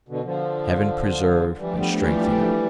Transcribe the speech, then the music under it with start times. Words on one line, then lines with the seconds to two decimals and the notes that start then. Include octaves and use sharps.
Heaven preserve and strengthen you!
0.08 B2 D3
0.24 D3 F3
1.58 E3 F3 G3 A3 D4 G4
1.77 G3 B3
1.97 E3 G3